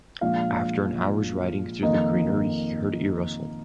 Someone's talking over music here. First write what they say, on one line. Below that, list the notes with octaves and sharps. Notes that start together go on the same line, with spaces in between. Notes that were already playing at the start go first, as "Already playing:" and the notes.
After an hour's riding through the greenery, he heard a rustle.
A#2 F3 G#3 D4 F4 F5
F2 D#3 A#3 D#5